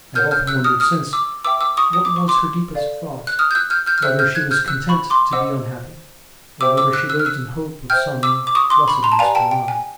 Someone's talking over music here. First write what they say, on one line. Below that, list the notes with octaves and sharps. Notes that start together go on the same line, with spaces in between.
I have often wondered since, what was her deepest thought--whether she was content to be unhappy, or whether she lived in hope of some blessedness beyond.
A#4 C#5 F#5 F6 G6
F6 G6
E6 F#6
D#6 F6
D#6 F6
D6 E6
B4 E5 G5 D6 E6
D6 E6
C#6 D#6
D#6
D6
C#6
C6 D6
A4 D5 F5
F#6
D#6 F6
G6
E6 F#6
F6 G6
F6 G6
F6
G#4 C5 E5 G5 E6 F#6
F6 G6
F#6 G#6
F6 G6
E6 F#6
B5 C#6
C6 D6
C5 D#5 F#5 D6 E6
G4 C5 E5 G5 D6 E6
D6 E6
E6 F#6
E6 F#6
F6
E6 F#6
C5 E5 G5 F6 G6
D6 E6
D6
C#6 D#6
C6 D6
B5 C#6
A#5 C6
A5
G4 B4 D5 F5 G#5 A#5
G5 A5
G5
G#5